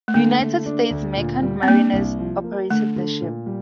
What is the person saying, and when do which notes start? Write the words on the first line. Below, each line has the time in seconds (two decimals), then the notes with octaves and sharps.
United States Merchant Mariners operated the ship.
0.08 A3
0.14 D3 A#3
0.40 A3
0.66 D4
0.91 D2
1.16 A#2
1.42 G3
1.63 C4
1.68 A#3 D4
1.93 C2
2.19 F3
2.44 A#3
2.70 D3 A3
2.96 D3
3.22 A#2
3.46 G3